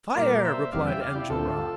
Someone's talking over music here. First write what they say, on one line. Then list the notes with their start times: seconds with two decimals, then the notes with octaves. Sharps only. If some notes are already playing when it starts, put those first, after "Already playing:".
"Fire!" replied Enjolras.
0.15 A#2 G3 A#3 A#4 D5
0.44 C5 E5
0.72 E2 C3 G3 D5 F5
0.87 E5 G5
1.01 D5 F5
1.15 E4 G4
1.30 D2 D3 A3 C4 F4 A4